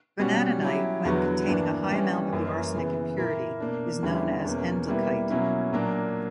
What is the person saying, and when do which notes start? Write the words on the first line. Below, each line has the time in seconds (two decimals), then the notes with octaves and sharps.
Vanadinite when containing a high amount of the arsenic impurity is known as endlichite.
0.20 B2 G3 C#4 F#4
0.62 F#3 C#4 E4 G4
1.05 E2 D3 F#3 B3 F#4
1.47 G2 E3 A#3 D4
1.90 E3 G3 C#4
2.32 F#2 E3 A#3 C#4
2.75 C#3 E3 B3
3.17 A#2 A#3 E4 A#4
3.60 B2 A#3 D4
4.03 E2 D3 G3 C#4 E4
4.45 E2 B2 A#3 C#4
4.87 B2 G3 A#3 E4 B4
5.30 B2 F#3 A#3 C#4 E4
5.73 A#2 F#3 A#3 D4 A#4